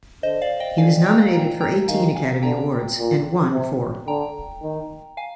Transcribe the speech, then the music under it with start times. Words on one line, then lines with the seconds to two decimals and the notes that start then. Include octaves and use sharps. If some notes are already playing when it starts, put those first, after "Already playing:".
He was nominated for eighteen Academy Awards and won four.
0.23 D3 C5 D#5
0.42 D5 F5
0.60 D#5 G5
0.78 D3 F5 G#5
1.06 G5 A#5
1.33 A#2 G5 A#5
1.61 G5 A#5
1.88 D#3 F5 G#5
2.16 F5 G#5
2.43 D3 G5 A#5
2.98 A#2
3.52 C3
4.07 D3 G5 A#5
4.62 D#3
5.17 F5 G#5